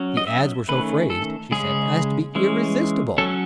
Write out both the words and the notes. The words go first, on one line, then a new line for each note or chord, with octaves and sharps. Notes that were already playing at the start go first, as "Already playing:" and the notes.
The ads were so phrased, she said, as to be irresistible.
Already playing: F#3 C#4
D#5
E5
D#3 A3 C#4 B4
A4
C#3 G#3 C#4 G#4
E3 G#3 C#4
F#3 C#4 A4